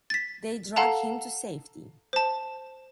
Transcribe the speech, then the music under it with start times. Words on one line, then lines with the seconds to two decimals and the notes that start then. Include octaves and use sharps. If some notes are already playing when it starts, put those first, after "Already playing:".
They drag him to safety.
0.10 A6 B6
0.76 A4 F5 F#5 A5 A#5
2.13 C5 A5